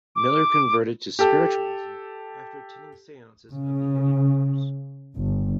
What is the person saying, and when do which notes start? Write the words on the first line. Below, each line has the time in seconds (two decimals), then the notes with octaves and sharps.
Miller converted to spiritualism after attending seances of the Eddy brothers.
0.15 D6
1.19 G4 A4
3.52 C#3
5.16 G1